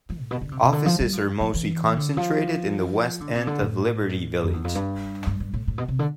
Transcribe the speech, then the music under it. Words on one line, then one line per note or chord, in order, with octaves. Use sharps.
Offices are mostly concentrated in the west end of Liberty Village.
F3
A2
B2
D3
C3
C3
D3
F3
G3
F3
F3
E3
D3
F3
D3
C3
D3
A2
F2
E2
F2
G2
G2
G2
A2
A2
B2
C3
D3